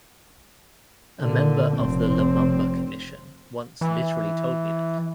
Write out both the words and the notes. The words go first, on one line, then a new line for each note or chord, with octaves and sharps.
A member of the Lumumba Commission once literally told me that.
A#2 D3
F1 C4
E3